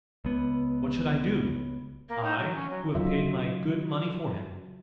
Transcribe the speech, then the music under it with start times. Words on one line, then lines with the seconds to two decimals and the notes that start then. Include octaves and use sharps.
"What should I do--I, who have paid my good money for him?"
0.25 C#2 B3
2.09 A#3
2.24 D#4
2.38 F#3
2.54 C#4
2.69 F#3
2.95 C#3 F#3 D#4 F4 E5